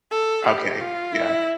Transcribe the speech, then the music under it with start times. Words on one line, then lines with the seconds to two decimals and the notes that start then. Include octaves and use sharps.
Okay, yeah.
0.11 A4
0.47 G4
0.81 F4
1.16 E4